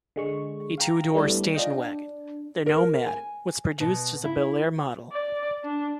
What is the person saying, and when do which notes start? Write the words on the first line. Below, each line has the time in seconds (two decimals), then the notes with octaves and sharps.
A two-door station wagon, the Nomad was produced as a Bel Air model.
0.16 D3 G#3 C#6
0.78 F5 G5 A#5
1.14 G3 A3 B3 D4 E4 G4
1.55 D4 F4 D#5 G5
1.77 D4
2.66 A#4
3.07 G#5
3.80 B2
4.24 E4
5.12 D5
5.64 D4